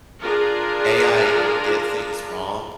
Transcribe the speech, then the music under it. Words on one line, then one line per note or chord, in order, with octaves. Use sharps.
AI will get things wrong,
D4 F4 G#4 A#4